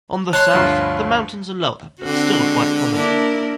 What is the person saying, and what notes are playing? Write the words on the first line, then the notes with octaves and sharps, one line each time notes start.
On the South, the mountains are lower, but still quite common.
C#5 A5 C6 F#6
D2 G2 F3 F4 B5
D3 C4 F#4
G#3
A#3 D4 E4 A#4